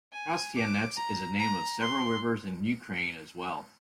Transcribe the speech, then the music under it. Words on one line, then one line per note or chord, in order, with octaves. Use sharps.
Trostianets is a name of several rivers in Ukraine as well.
G#5
D6
A#5
A#5
C6